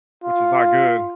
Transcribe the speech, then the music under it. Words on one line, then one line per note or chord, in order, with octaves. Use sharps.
which is not good,
F4